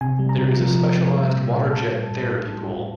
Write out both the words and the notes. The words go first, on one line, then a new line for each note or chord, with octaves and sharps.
There is a specialised water jet therapy pool.
C3 G#5
G3
A#5
C3
F3
C3
C3
G3
A#2
A#2
A2 A5
G3
A2
A2
G3
A2